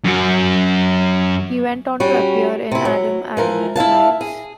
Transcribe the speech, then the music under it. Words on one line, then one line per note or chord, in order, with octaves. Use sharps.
He went on to appear in Adam Adamant Lives!
F#2 F#4
G3 C#4 F#4
C3 E4
F#3
E3 F3 A#4
E4 E5 F5 A5
G#4